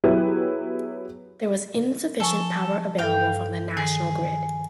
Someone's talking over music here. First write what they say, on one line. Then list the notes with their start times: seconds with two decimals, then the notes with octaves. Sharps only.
There was insufficient power available from the national grid.
0.04 F#3 B3 E4 G4 G#4 B4
2.20 F3 A4 G#5 C#6
2.98 G2 A4 F5 G5
3.77 D#3 G#4